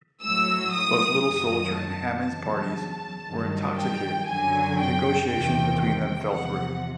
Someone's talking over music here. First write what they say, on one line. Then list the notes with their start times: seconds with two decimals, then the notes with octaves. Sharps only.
Both Little Soldier and Hammond's parties were intoxicated and negotiations between them fell through.
0.22 A2 F#3 E6
0.73 D#6
1.24 F#2 D#3 F#3 D#6
1.75 A5
2.25 E2 C#3 F#3 A5
3.26 G2 D#3 F#3
3.77 G5
4.27 F#2 D3 F#3 G#5
4.79 G5
5.29 E2 C3 D#3 G5
5.80 G5
6.30 E2 C3 F3 F#5